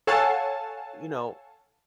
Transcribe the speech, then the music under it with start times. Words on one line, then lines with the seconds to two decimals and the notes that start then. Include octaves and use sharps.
You know,
0.07 A4 C#5 F5 F#5 G#5 A5